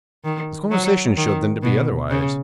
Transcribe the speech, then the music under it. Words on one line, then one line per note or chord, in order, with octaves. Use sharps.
His conversation showed them to be otherwise.
D#3
F#3
D#3
B2
C#3